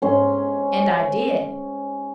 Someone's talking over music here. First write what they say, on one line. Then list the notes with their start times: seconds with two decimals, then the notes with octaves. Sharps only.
And I did.
0.02 G#2 C#4 C6